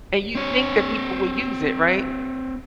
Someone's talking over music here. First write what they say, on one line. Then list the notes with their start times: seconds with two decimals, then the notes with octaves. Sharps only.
and you think that people will use it, right?
0.35 C4 C#5